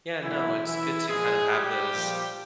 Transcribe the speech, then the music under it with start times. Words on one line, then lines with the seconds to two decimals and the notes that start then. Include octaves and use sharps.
Yeah. No. It's good to kinda have those
0.23 B2 E3 F#3 E4
0.65 E3 E4
1.08 A#2 F3 G#3 G#4
1.50 G3 G4
1.92 A#2 F3